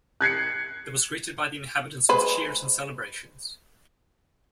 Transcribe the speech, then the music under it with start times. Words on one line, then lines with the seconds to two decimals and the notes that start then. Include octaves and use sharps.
It was greeted by the inhabitants with cheers and celebrations.
0.21 F#6 G#6 C7 C#7
2.09 G#3 B4 C5